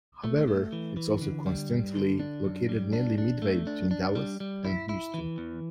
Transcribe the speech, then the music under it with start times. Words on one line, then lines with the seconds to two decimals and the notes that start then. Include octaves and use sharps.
However, it is also coincidentally located nearly midway between Dallas and Houston.
0.24 A3
0.48 A3
0.73 E3
0.97 E3
1.22 D3
1.46 G3
1.70 G2
1.95 D3
2.19 D4
2.44 F#2
2.69 G3
2.93 D4
3.18 D4
3.42 A3
3.67 D4
3.91 D4
4.15 G3
4.40 G3
4.65 E4
4.89 E4
5.14 E3
5.38 E2